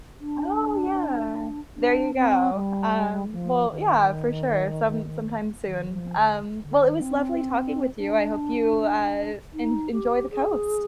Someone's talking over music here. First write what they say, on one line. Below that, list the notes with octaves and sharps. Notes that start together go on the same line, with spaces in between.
Oh, yeah. There you go. Um, well, yeah, for sure. Some sometime soon. Um, well, it was lovely talking with you, I hope you, uh, en enjoy the coast.
D4
D4
C4
G3
F3
D#3
D#3
F3
D3
D3
D#3
C4
D4
D#4
G4
G#4